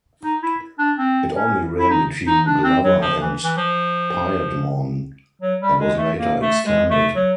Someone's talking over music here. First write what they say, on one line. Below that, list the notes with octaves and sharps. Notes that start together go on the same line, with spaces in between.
It only ran between Glover and Piedmont and was later extended.
D#4
E4
D4
C4
C#4
E4
D#4
D#4
D4
C4
F#3
F3
E3
E3
F3
F#3
G3
G#3
A3
A#3
A3
G#3
A3
F#3